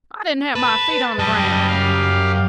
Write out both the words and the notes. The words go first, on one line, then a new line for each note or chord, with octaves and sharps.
I didn't have my feet on the ground.
B4 A5
F#2 G3 D#5 A5
G4 F5